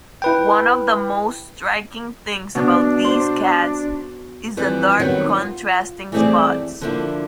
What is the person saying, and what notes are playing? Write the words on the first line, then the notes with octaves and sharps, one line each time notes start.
One of the most striking things about these cats is the dark contrasting spots.
E4 B4 G5
B2 D4
C5
F2 E3 G3
D#3 F#3 G3 B3 C4 D#4
F4
E3 G3 A3 C4 G#4 D5
D3 F3 A#3 D4 E4